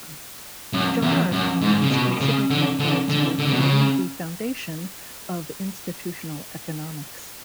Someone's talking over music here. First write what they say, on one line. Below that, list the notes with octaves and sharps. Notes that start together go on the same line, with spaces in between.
John R. Commons considered Macleod's work to be the foundation of Institutional economics.
F#2
E2
F#2
G#2
C#3
B2
C#3
D3
D3
D3
D3
C#3
B2
C#3